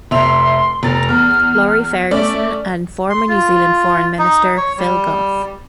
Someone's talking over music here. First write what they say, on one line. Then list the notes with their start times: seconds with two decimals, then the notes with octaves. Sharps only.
Laurie Ferguson and former New Zealand Foreign Minister Phil Goff.
0.11 F1 E5 C6 F7
0.83 F1 A#5 A6
1.09 E2 F6
2.11 A3 C#4 D5 D6
3.10 C6
3.29 F4
4.19 D#4
4.57 C#5
4.78 G3